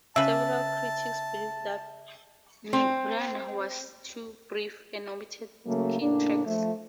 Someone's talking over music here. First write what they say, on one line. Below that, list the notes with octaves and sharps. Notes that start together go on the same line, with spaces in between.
Several critics believed that "Nirvana" was too brief, and omitted key tracks.
C#3 B4 E5 A5
C4
C#3 F#3 A3 A#3
A2 C#3 A#3 D4
F3 A3